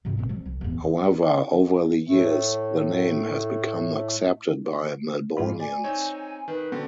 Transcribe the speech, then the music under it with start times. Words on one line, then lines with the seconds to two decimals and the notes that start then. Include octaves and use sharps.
However, over the years, the name has become accepted by Melbournians.
0.05 G#2 C3
0.17 A#2 C4
0.29 F3 G3
0.45 C2
0.61 A1 E2
2.07 A2 A3
5.37 G#2 F4 B5
5.60 D5 G#5
5.84 C4 D#4 C#5
6.48 D#3 B4
6.72 D3 C4 F#4